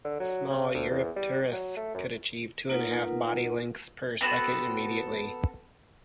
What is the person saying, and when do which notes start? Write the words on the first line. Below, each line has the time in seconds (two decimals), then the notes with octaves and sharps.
A small "Eurypterus" could achieve two and a half body lengths per second immediately.
0.04 D3
0.20 F#3
0.50 C#3
0.74 D2
0.90 E2
1.16 G3
1.52 F#3
1.76 A3
1.95 F#2
2.69 A#3 D#4 F4 A#4 B4 F#5
4.21 B3 C4 F#4 A4